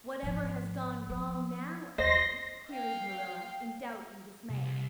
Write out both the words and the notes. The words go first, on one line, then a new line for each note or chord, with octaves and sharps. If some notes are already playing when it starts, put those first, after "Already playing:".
"Whatever has gone wrong now, Anne?" queried Marilla in doubt and dismay.
G#1 F3
F3
D#2 C5 D#5 C6 A#6
F5 G5
C2